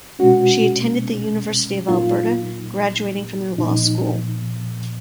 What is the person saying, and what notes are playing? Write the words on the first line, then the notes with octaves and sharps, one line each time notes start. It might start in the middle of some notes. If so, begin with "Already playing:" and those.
She attended the University of Alberta, graduating from their law school.
B2 G#3 C#4 F#4
A#2 F#3 A#3 D#4 F4
A#2 F3 B3 D#4